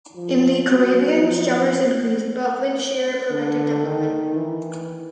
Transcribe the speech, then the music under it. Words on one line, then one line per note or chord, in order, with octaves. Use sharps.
In the Caribbean, showers increased, but wind shear prevented development.
F3
F#3
F3
D3
D#3
E3